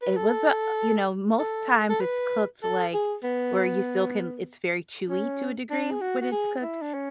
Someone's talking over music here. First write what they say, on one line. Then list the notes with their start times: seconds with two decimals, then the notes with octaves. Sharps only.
it was a uh, you know, most times it's cooked like where you still can it's very chewy to a degree when it's cooked
0.02 B4
0.17 A4
1.39 A4
1.90 A4
2.01 B4
2.63 A4
2.94 G#4
3.24 B3
5.09 C#4
5.70 D4
5.91 G#4
6.01 F#4
6.21 F#4
6.32 G#4
6.62 E4
6.82 D4
6.94 C#4